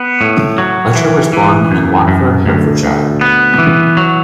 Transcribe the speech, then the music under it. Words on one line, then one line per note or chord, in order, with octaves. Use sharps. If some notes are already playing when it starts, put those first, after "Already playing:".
Fletcher was born in Watford, Hertfordshire.
Already playing: B3
A2
F#3
E3
E3
F#2
F#2
D2
D2
B3
E3
F#3